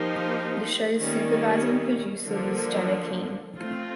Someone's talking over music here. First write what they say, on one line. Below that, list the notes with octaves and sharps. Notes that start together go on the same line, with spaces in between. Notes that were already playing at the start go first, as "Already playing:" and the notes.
The show's supervising producer was Jenna Keane.
Already playing: F3 A#3 D#4 G4 C5
D#3 G3 A#3 C#4
D3 F3 A#3
A3 C4 F4